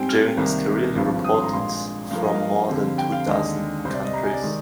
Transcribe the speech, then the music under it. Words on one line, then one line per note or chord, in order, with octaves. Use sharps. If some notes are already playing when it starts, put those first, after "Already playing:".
During his career, he reported from more than two dozen countries.
Already playing: G#2 G3 C4 G5 G#5
F6
C2 C3 D#3 A#3
G#1 G2 F3 C4
D#6
C6
A#5
A#1 A#2 G#3 C6
G2 F3 A#3 F5
D#5
F5
F2 D3 G3 C4
G5
F5
D#2 D3 G#3 D4 D#5
C2 C3 G3 C5
D5
D#5
A#5
G#5
D5
D#3 G#3